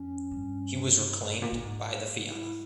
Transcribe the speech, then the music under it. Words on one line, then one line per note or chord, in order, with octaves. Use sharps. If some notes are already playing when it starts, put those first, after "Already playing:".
He was reclaimed by the Fianna.
Already playing: F2 C#4
G2
D#4
A#2
A2
G#2
E4